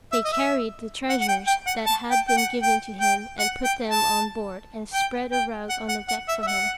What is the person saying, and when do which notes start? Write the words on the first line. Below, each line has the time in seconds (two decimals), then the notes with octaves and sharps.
They carried the treasures that had been given to him and put them on board, and spread a rug on the deck for him.
0.12 E5
0.24 D#5
0.32 E5
1.09 F#5
1.21 F#5
1.28 G5
1.47 G5
1.67 F#5
1.86 A5
2.11 G5
2.28 G5
2.37 F#5
2.63 G5
3.01 G5
3.39 F#5
3.64 G5
3.91 A5
4.94 G5
5.32 G5
5.69 F#5
5.89 F#5
6.09 F#5
6.28 E5
6.42 E5
6.47 F#5